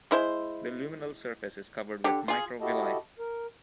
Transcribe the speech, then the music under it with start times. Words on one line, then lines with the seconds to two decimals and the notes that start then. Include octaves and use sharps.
The luminal surface is covered with microvilli.
0.11 G#3 E4 C5
2.04 D3 G4
2.28 F4 G#4
2.61 E4 F#4 G4 A4 D#5 A5
3.19 A#4